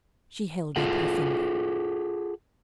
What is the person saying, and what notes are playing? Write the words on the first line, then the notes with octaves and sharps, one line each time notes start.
She held up her finger.
F4 G#4 A4 F#5